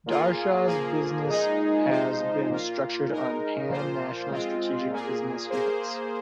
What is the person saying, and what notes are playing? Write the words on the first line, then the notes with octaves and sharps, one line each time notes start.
Darashaw's business has been structured on Pan National Strategic Business units.
A#2 A#3 F4 G#4
F3 A#3 G#4
A#2 G#3 D#4 G#4
F3 G#3 D#4 C5
A#2 A#3 F4
G#3 D#4 A#4
A#2 F3 A#3 F4 C5
G#3 C4 F4
A#2 A#3 G#4
A#3 G#4 C5